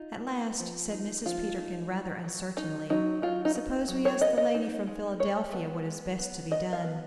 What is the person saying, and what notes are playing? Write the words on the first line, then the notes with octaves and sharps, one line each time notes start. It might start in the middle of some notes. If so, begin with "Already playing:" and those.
At last said Mrs. Peterkin, rather uncertainly, "Suppose we ask the lady from Philadelphia what is best to be done."
Already playing: D#4 F4
B3
F3
D#4
F3 F4
D#4
F#3
F#3
F#3 D#4
F#3 D#4
F#3 F4
D#4
D#4
F#3
C#5
B3 D#5
D#5
D#4
G#3
G#3 C#5
B3
G#3
B3
B3 D#5
F5
B3